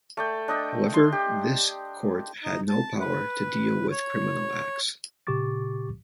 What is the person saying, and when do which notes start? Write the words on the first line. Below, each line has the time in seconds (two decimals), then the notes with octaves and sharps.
However this court had no power to deal with criminal acts.
0.17 A3 D5 G5
0.48 D4 D#5 G5
0.94 C6
1.12 G4
2.44 D#4
2.69 A5
3.00 B4
3.91 C#5
5.27 A#2 C#3 G4 C#6 D6 A6